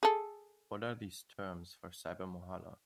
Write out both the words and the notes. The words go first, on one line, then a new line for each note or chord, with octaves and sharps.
What are these 'terms' for Cybermohalla?
G#4 A4